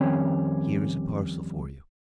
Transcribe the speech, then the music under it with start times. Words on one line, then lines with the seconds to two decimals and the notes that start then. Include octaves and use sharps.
"Here is a parcel for you."
0.01 F2 D#3 G3 C4 C#4 C#5